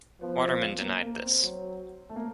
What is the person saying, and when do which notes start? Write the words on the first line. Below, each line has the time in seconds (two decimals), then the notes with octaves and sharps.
Waterman denied this.
0.21 F3 B3
0.42 C4
0.61 B3
0.81 A#3
1.02 A#3
1.23 C4
1.43 F#3
2.09 A3
2.16 A#3